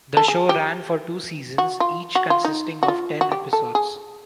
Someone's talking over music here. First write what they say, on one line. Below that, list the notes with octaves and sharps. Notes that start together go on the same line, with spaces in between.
The show ran for two seasons, each consisting of ten episodes.
A4
G#4
G4
F#4
F4
F#4
F4
D#4
F#4
F4
F#4
G4
A4
G#4